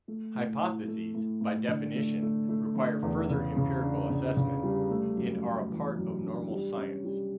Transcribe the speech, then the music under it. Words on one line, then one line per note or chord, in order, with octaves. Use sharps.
Hypotheses, by definition, require further empirical assessment, and are a part of normal science.
A3
A2
E4
A3
A2
A2
D3
A3
A3
A3
D3
E2
C#3
C#3
D4
C#3
C#3
G3
A3
F#2
A3
E3
F#2
D4
G3
C#4
G3